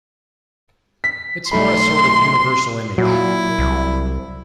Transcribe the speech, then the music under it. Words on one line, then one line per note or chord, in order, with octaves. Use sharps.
It's more a sort of universal image.
B6
B1 A3 B5 C6
A#2 F#3 E4
C2